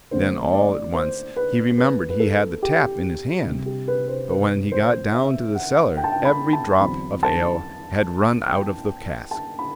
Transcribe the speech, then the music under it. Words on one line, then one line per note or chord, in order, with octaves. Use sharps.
Then all at once he remembered he had the tap in his hand; but when he got down to the cellar, every drop of ale had run out of the cask.
D3 A3 C4 C5
D5
C5
B4
B4
B4
A4
G4
C3 G3 C4
G4
B4
C5
B4
C5
E5
F#5
G5
A5
G5
B5
A5
E2 D3 F#3 C4 B5
A5
G5
A5
B5